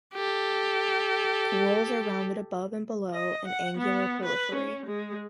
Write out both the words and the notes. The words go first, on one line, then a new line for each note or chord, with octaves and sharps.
The whorls are rounded above and below an angular periphery.
G4 A4
D#5
F#5
B3
B4
C#4
G#3